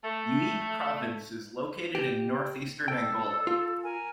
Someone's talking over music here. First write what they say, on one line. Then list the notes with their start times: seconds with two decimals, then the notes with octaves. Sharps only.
Uige Province is located in northeastern Angola.
0.04 A3
1.95 G4
2.88 A4 G5
3.47 F4
3.83 A#4 G#5